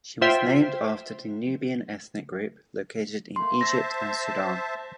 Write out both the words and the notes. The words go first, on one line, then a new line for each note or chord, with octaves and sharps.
She was named after the Nubian ethnic group, located in Egypt and Sudan.
F4 C5 E5 G5
A3 A#3 C6
C5 E5 A5 A#6